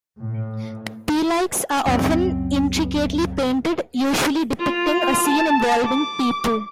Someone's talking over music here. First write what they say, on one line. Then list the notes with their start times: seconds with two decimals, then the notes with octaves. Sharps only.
Pelikes are often intricately painted, usually depicting a scene involving people.
0.20 A2
1.86 C#2 F#2 A3 C4
4.59 F4
5.28 A5
5.85 D6